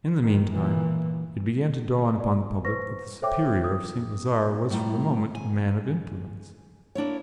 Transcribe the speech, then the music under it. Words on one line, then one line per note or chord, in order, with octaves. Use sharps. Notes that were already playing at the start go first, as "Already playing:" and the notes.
In the meantime it began to dawn upon the public that the Superior of St. Lazare was for the moment a man of influence.
D#3
A#2 E3
D5
B4 C5 C#6 A#6
A4 C5 C#5 E5 G5 D6
D#6
A2 G3 A#5
G#5
A#3 D4 E4 C#5